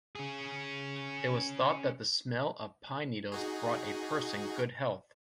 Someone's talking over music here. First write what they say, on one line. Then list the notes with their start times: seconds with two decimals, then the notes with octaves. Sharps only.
It was thought that the smell of pine needles brought a person good health.
0.15 C#4 G#4
3.32 D#4 F#4 G#4